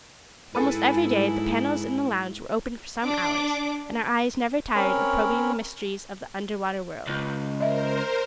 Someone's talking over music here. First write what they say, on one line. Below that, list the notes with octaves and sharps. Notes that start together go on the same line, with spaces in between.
Almost every day the panels in the lounge were open for some hours, and our eyes never tired of probing the mysteries of the underwater world.
G#2 E4 G#4 A4 B4
D4 D6
C4 C#4 A#4 C#5 B5
C#2
A#4 C5 D#5 E5